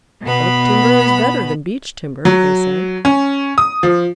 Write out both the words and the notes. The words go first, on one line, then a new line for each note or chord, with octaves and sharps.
"Oak timber is better than Beech timber," they said.
B2 B3 B5
F#3
C#4
D#6
F3